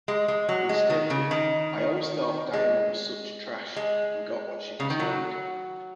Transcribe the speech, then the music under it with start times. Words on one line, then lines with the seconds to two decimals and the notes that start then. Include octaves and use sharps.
He stated: I always thought Diana was such trash and got what she deserved.
0.08 G#3
0.28 G#3
0.49 F#3
0.69 G#3
0.90 D#3
1.10 C#3
1.31 D#3
2.53 G#3
3.76 G#3
4.80 C#3
4.90 D#3
5.00 F#3